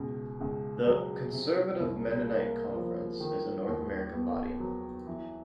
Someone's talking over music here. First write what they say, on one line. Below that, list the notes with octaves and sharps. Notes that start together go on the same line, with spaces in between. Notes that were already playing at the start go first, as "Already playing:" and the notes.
The "Conservative Mennonite Conference" is a North American body.
Already playing: C#2 B2
C#2
F#3
C3
C2
A#3
F3
D#3
D#2
B3
F#3
E3